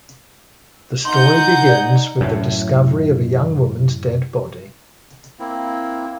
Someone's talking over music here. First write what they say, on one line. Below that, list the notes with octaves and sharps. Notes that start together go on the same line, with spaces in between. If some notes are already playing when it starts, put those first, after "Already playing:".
The story begins with the discovery of a young woman's dead body.
D#4 F#5 C6 G6
D5
F#2 A2
A#3 C4 E4